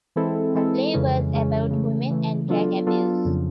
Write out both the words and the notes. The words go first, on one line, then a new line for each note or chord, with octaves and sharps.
The play was about women and drug abuse.
E3 G#3 C4 E4 A4
E3 G#3 C4 E4 A4
F2 C#3 E3 G#3 C#4
F2 C#3 E3 G#3 C#4
C#3 E3 A3
C#3 E3 A3
F#3 B3 D4 F4 A4
F#3 B3 D4 F4 A4
F2 C#3 F3